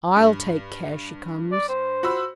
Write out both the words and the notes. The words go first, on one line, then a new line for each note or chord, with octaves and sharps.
I'll take care she comes.'
G2
D5
C5
F#4 B5 E6